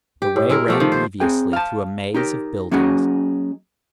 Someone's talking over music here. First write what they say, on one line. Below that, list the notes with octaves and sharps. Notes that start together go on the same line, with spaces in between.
The way ran deviously through a maze of buildings.
G4
A2
G#3 E4 A#4
F3 A3 G4
D#3 F3
C5
C4 G#4 G5
F5 A5
D#4 G4 A#4
F#3 A#3 C#4 D#4 F#4 G#4